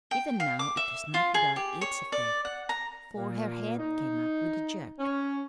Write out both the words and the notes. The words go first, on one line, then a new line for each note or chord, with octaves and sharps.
Even now it was not without its effect, for her head came up with a jerk.
G5
F5
D6
E5
F4
G#4
G4
C#5
D5
F#5
A#5
A#2
D#4
C#4